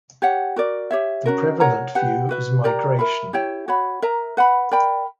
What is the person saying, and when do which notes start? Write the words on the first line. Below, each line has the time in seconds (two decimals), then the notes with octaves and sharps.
The prevalent view is migration.
0.22 G4 C#5 F#5
0.56 F#4 A#4 D5
0.91 G4 C#5 E5
1.26 C#4 F#4 A#4
1.60 A#4 C#5 F#5 A#5
1.95 G4 B4 F#5
2.29 F#4 B4 E5
2.64 G4 A#4 D5 A#5
2.99 A#4 E5 B5
3.33 E4 G4 C#5 G5
3.68 F#4 C#5 F#5 B5
4.02 A#4 E5 A#5
4.37 B4 F#5 B5
4.71 A#4 D5 G5 B5